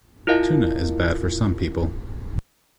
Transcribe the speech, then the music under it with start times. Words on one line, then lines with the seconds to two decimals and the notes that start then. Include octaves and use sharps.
Tuna is bad for some people.
0.27 E4 F4 A#4 D#5 F5